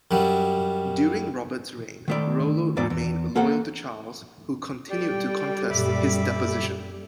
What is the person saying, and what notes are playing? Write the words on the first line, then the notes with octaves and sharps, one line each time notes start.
During Robert's reign, Rollo remained loyal to Charles, who continued to contest his deposition.
F#2 F#3 G3
D#3 A3 D5
E2 G#2 D5
E2
A#3 A4 F#5
G3 A4 D5 G5
F#2 A#2 E5 B5 D6